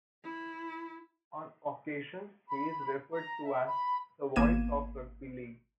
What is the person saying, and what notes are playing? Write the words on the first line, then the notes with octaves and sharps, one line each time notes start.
On occasions he is referred to as "The Voice of Rugby League".
E4
B5
A#5
E5
B5
G#1 A#3 B3 G#6 D#7 E7